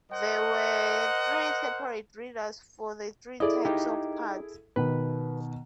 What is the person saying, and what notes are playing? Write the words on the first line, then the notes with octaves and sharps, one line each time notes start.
There were three separate readers for the three types of cards.
A#4 C5 D#5 F#5
E4 G#4 A4 D5 D#5
D#4 G4
B2 D#3 B4